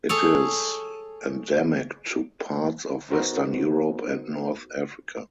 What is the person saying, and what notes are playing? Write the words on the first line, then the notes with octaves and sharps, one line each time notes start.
It is endemic to parts of western Europe and north Africa.
G#4 A4 C#5
B3 D#4 F#4 A#4 C5